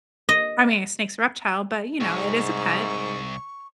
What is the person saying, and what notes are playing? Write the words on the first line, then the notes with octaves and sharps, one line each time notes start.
I mean, a snake's a reptile, but, you know, it is a pet,
D#5
C2 G#2 C#6